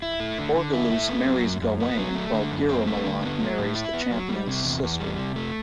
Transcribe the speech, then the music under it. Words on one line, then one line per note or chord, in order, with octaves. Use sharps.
Orgeluse marries Gawain while Guiromelant marries the champion's sister.
E4
A3
D3
D3
E4
A3
B3
F#3
F#2
F#2
B3
F#3
A3
D3
F#2
C4
A3
D3
B3
F#3
A2
E4
B3
F#3
G3
C3
E2
E2
G3
C3
A3